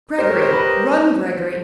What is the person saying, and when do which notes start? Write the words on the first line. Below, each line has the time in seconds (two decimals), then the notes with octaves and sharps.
Gregory! run, Gregory!
0.18 G4 A#4 C5 D#5
0.30 C#5
0.41 C5
0.53 B4